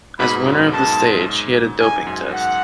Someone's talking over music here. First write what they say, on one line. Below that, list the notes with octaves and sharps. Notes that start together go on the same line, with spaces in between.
As winner of the stage, he had a doping test.
G#2 B2 B5
F#2
G#2 A5
G#2 G#5
F#2
F#5